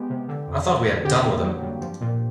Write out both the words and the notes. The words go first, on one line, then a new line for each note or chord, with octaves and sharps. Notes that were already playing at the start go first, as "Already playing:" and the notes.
I thought we had done with him.
Already playing: G#3 B3 G4
C3
D3
F2
F#3
F2
D3 G4
A#3
F#3
G2
F3
A#2